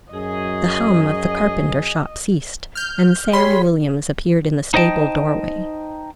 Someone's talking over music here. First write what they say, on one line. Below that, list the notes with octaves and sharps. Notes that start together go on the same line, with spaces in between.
The hum of the carpenter shop ceased, and Sam Williams appeared in the stable doorway.
F#2 F#3 G#4 D#5
F6 G6
G4 G#4 C#5 B5 C6
D#4 C5 D#5 G5 A5